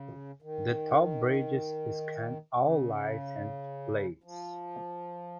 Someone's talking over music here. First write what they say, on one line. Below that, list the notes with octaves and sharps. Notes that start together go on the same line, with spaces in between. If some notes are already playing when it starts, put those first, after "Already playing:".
The toll bridges scan all license plates.
Already playing: C#3
D#3
C#3
F3